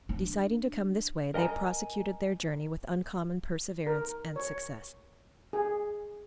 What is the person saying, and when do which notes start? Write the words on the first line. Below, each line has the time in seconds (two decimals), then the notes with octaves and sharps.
Deciding to come this way, they prosecuted their journey with uncommon perseverance and success.
0.09 D4
1.34 A#4 D#5 F#5 G#5 A#5
3.87 A#4
4.36 C#5
5.53 G#4